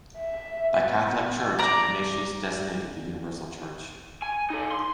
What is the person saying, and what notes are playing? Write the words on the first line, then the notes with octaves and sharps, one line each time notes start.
By "Catholic Church" Ignatius designated the universal church.
E5
B3
D5 A#5
G#5
D#4 A4
C6